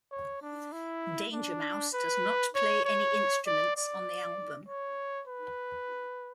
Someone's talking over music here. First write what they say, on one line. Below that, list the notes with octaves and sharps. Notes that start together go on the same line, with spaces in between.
Danger Mouse does not play any instruments on the album.
C#5
D4
E4
D4
B4
C#5
C#5
D5
D5
C#5
B4